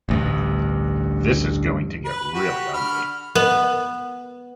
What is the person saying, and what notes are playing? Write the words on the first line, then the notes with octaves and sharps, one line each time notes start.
This is going to get really ugly.
A1 D2 G2
B4
F#4 G4
D3 B5 F6
B3